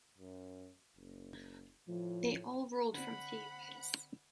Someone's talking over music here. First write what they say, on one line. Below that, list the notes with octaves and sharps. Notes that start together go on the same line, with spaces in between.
They all ruled from Thebes.
F#2
F#1
A2 F3
D3 C4 F#5 B5